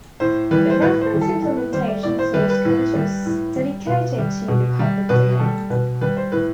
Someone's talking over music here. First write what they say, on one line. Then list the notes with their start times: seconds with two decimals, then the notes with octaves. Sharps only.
The reference implementation source code was dedicated to the public domain.
0.20 A2 C5
0.51 E3 G3 B4
0.70 C5
0.81 A2 B4
1.01 C5
1.12 E3 G3
1.21 A4
1.42 A2 A4
1.57 B4
1.73 G3 C5
1.88 D5
2.03 A2 D5
2.19 C5
2.34 G3 B4
2.50 B4
2.65 A2
2.95 G3
3.26 A2
3.56 G3
3.87 B2 B4
4.18 G3
4.48 B2
4.79 G3
5.09 B2 B4
5.39 G3 A4
5.70 B2 B4
6.01 G3 B4
6.17 C5
6.32 A2 B4